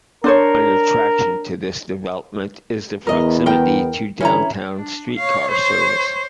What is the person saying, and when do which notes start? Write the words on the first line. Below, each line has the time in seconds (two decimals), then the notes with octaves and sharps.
An attraction to this development is the proximity to downtown streetcar service.
0.24 D4 A#4 C5 C#5
3.07 E2 B3 A#4 D#5
3.46 A#4 G5
4.20 D3 E3 C#4 E4 A#5
4.76 D4
5.17 C#5 F5
5.51 C5 C#5